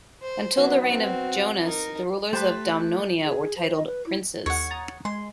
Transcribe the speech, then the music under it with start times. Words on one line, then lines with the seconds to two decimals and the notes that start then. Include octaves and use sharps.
Until the reign of Jonas, the rulers of Domnonia were titled princes.
0.22 C5
0.57 F#3 B3 D#4 F#4
0.89 C4 D5
1.64 D#4 A#4
2.33 A3 G4 B4 C5 A5
3.25 G#4
3.57 C5
3.73 D#5
3.86 B4
4.06 E4
4.46 D#2 A4 C#5 F#5
4.71 A#5 D#6 A6
5.05 G#3 C6